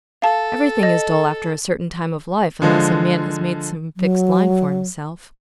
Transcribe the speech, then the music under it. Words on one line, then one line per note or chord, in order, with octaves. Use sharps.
Everything is dull after a certain time of life unless a man has made some fixed line for himself.
A4 F5 A5
D#5
D3 F3 G#3
F#3